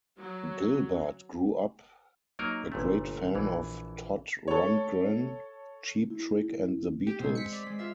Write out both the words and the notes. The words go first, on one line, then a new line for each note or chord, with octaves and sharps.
Gilbert grew up a great fan of Todd Rundgren, Cheap Trick and The Beatles.
F#3
F#3 A#3 D#4 A#4
G1 A#2 A3
A#1 E3
A4 C#5
E4
G4
B2 G#3 C4
B6 C#7
D5 B6
G#3
F4 E5